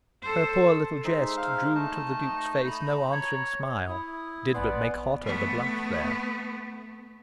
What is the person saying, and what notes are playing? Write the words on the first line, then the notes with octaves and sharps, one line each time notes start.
Her poor little jest drew to the Duke's face no answering smile, did but make hotter the blush there.
A4 C5
G#3 D#4 C5 E5
F5
A3 D#4 A5
A#5 B5
C#5
E4 D#6
A#1 B3 D5 G#5 C6
A3 B3